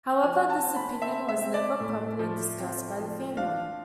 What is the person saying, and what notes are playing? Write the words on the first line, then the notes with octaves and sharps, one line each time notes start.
However, this option was never properly discussed by the family.
F3 G#5
A5
C4
B5
C4 E5
E5
C4
D5
A2
F3
C4
F3
D4 F5